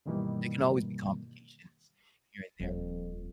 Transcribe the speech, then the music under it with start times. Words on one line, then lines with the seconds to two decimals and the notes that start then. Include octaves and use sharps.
there can always be complications here and there, but,
0.06 G2 B2 D#3 E3 G3 A#3
2.60 D#1 F2